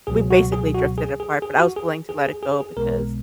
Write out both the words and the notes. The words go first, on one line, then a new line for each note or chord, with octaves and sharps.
we basically drifted apart, but I was willing to let it go because
C#2 B2 F#3 G#4
F#4
G#4
F#4
G#4
G#4
G#4
F#4
G#4
G#4
G#4
G#4
G#4
B1 B2 G#3 B3 A#4